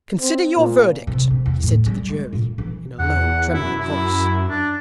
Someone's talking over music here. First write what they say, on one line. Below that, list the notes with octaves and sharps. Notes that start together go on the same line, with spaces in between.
'Consider your verdict,' he said to the jury, in a low, trembling voice.
C4
A#2
C3
C3
E2
A2
G3
G#3
A#2
E3
E2 F#5
F#2 E4
E4
D4